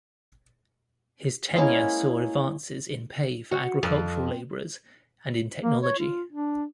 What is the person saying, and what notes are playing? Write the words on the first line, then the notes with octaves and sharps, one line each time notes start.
His tenure saw advances in pay for agricultural labourers, and in technology.
G#3 A#3 C#4 E4
F#4
F2
A#3
C#5
F4
D4